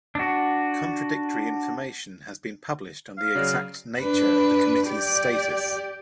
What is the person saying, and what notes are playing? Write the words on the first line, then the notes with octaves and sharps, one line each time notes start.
Contradictory information has been published on the exact nature of the committee's status.
D4 F#4
F5
C#3 F#3 D5
D4 B4
G4 D5